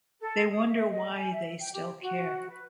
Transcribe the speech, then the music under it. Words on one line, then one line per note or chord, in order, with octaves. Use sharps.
They wonder why they still care.
A4
D#6
E5
D#5
G#5
E5
G5
G4
F#4
B4